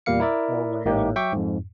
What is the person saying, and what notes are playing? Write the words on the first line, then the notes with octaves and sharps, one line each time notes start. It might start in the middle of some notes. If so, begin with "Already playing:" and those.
Oh my god.
E2 A#2 G3 A#3 F5 C#7
E4 A#4 D5 E5
A1 G#2 A#3 D#4 G4
F#3 E5 G5 C#6 D6
F2 G#2